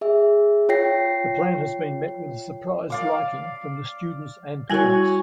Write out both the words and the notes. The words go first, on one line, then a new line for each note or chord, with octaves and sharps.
The plan has been met with a surprise liking from the students and parents.
G#4 E5
F4 C#5 G5 A#6 C7
D5 F5 D6
G3 E4 F#4 C#5 G#5